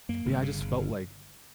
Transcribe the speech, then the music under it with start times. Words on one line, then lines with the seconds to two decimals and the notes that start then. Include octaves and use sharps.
but, yeah, I just felt I
0.09 F#2 A#3
0.26 G1
0.43 C#3
0.60 G1